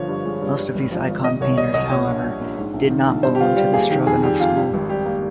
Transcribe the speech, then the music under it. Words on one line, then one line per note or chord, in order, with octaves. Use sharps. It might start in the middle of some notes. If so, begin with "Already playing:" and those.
Most of these icon painters, however, did not belong to the Stroganov School.
Already playing: G1 F3 C#5
G2
G#3
G2
G2
G#1
F3
G#1
C3 D#5
C2 C#5
G3 D#5
C2 D#5
A#2 C#5
A#1
G3
A#1
G#2
A#1
D#3
A#1
G2 C5
G4
G1 F4
G3 G4
A#3 G#4
D#3 G4
F2 G#4
G3 G4
F2 F4
G2 G4
G#1
G3 G4
A#3